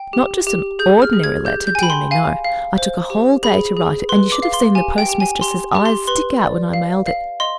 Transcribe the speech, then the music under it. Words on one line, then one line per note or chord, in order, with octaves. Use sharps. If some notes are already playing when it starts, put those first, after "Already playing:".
Not just an ordinary letter; dear me, no. I took a whole day to write it, and you should have seen the postmistress's eyes stick out when I mailed it.
Already playing: G5
G4
G4
G#4 G6
F6
G#4
G#6
G4 G6
G6
G#5
G5 B5
C6
F5 G#5
F5
C5
G4
G#4 B5
G#4
B4 C6
D6
F5
C6
G4 G#5
G5
G4
G#5
G4 C6
G4
C6
B4 C6
D5
F5
F5
D#5 C6